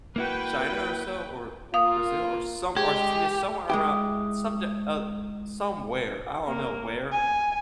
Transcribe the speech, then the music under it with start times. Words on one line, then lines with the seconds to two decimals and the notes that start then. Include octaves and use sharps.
China, or so? Or, Brazil? Or, some Argentina? Somewhere around somed uh, somewhere, I don't know where.
0.16 A#3 E4 F#4 B4 G5
1.74 A#3 F4 F5 D#6
2.77 G#3 G4 G#4
3.70 G#3 E4 G4
6.46 A#3
7.12 G#5